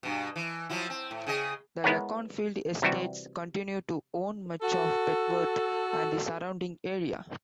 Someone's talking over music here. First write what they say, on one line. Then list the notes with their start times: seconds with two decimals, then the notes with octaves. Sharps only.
The Leconfield Estates continue to own much of Petworth and the surrounding area.
0.03 G2 B2
0.36 E3
0.69 F3 F#3 E4
0.90 C4
1.11 A2
1.27 C#3 G#4 D#5
1.84 G#3 B3 E4 A#4 C#5 F#5
2.82 C3 E3 G3 F#4
4.62 F#4 A4